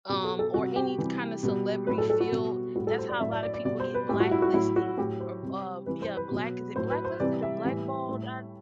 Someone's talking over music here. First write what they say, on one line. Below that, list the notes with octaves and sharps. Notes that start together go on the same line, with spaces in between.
um, or any kinda celebrity field, that's how a lotta people get blacklisted, or, uh, yeah, black, is it blacklisted or blackballed, are
B2 F#3 G4
A4
A4
C3 G3 F#4
G4
C3 E3 G3
B2 G3
A2 F#3 B4
A4
A4
F#4
B2 G3
A2 G3 F#4
A4
C5
D5
A2 F#3 E5
D5
D5
D5
B2 G3 D5
C5
B4
A2 G3 G4
F#4
E4
F#4
A2 F#3 E4
F#4
A2 F#3 G4
C5
C3 G3
C3 E3 G3 B4
C5
B4
B2 F#3
A2 F#3 C5
B4
C5
C3 E3 G3 D5
E5
A2 E3 G3
A2 G3